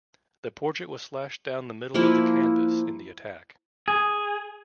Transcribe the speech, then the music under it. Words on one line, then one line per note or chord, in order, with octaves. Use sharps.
The portrait was slashed down the middle of the canvas in the attack.
F3 A#3 E4
G#4